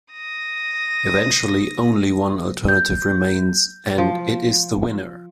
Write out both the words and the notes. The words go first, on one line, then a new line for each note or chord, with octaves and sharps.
Eventually only one alternative remains, and it is the winner.
D#6 A#6
G6
F3